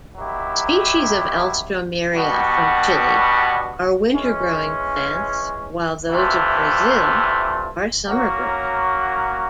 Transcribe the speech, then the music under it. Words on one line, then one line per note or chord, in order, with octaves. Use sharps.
Species of "Alstroemeria" from Chile are winter-growing plants while those of Brazil are summer-growing.
D#3 F#3 B3 E4 G4
B2 G3 B3 D4 F#4
E3 G#3 C#4
C3 E3 A3 D4 F4
F#3 A#3 C#4 F#4